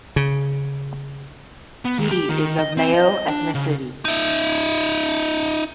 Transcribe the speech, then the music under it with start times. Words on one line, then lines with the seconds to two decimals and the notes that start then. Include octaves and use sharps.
He is of Miao ethnicity.
0.16 C#3
1.85 B3
1.99 D#2
2.11 G4
2.29 D#3
2.59 D#5
2.77 C4
2.94 D#5
3.28 D4
3.55 C#3
4.05 D#4 E5